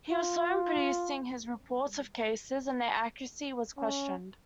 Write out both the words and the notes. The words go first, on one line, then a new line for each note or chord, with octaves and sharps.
He was slow in producing his reports of cases and their accuracy was questioned.
F4
C#4